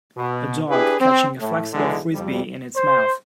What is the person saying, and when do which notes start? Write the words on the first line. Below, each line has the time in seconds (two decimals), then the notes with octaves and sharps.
A dog catching a flexable Frisbee in its mouth.
0.16 B2
0.68 D4 E4 G4 G#4 B4
1.00 C4
1.39 A2
1.73 B1 D3 E3 G#3
2.12 F2 G3
2.77 C5